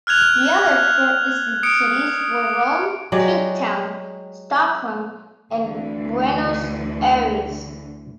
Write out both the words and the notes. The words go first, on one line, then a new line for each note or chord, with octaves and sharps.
The other shortlisted cities were Rome, Cape Town, Stockholm and Buenos Aires.
F6 F#6 G#6 F7
D#6 C#7 D7
F#3 G#3 G4 D5
D2 D3 E3